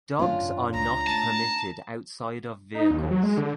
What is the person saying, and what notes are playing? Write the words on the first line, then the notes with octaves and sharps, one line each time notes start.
Dogs are not permitted outside of vehicles.
G#1 F#2 C#4 D4 F4
C#2 A#5
A3 A5
D#4
D#2
F#3
G#3
D3